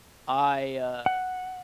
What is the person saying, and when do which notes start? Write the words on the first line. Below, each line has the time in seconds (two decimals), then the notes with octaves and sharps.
I, uh,
1.06 F#5